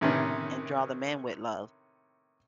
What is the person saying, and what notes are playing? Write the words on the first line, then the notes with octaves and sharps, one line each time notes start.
And draw them in with love.
A2 C3 D#3 B3 C#4